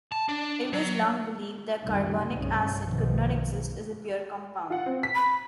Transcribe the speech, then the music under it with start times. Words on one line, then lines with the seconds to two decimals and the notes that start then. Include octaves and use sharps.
It was long believed that carbonic acid could not exist as a pure compound.
0.12 A5
0.29 D4
0.73 F#3
1.83 C#2 F#2 C3 D#3 G3 A3
2.36 C2 G2 C#3 G3 C#4
2.80 B1 F#2 B2 D#3 F3
4.70 F4 F#5
4.86 C4
5.03 B6
5.15 B5